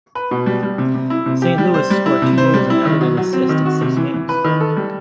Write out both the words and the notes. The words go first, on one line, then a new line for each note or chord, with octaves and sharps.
Saint Louis scored two goals and added an assist in six games.
B4
B2
G3
G3
C3
C3
E4
C3
G4
G3
C5
G3
E4
C3
C5
G3
E4
D#3
F#3
F#3
C4
D#3
F#4
C3
E3
E3
B4
D#3
A4
G3